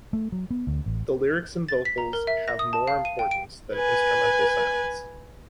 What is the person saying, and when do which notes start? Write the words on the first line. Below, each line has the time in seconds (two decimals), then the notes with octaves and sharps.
The lyrics and vocals have more importance than instrumental sounds.
0.13 A3
0.32 F#3
0.51 B3
0.67 D2
0.86 A1
1.69 A6
1.85 B6
1.98 A#5
2.13 A#4
2.27 E5
2.48 A#6
2.59 D#6
2.73 A5
2.88 F5
3.05 D#7
3.19 G5
3.31 D7
3.75 B4 G#5